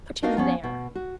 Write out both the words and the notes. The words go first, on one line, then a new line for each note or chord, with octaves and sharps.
"Put him there."
B3 D4 D#4 F#4 A#4 F5
F3 B3 C#4
B2
F#4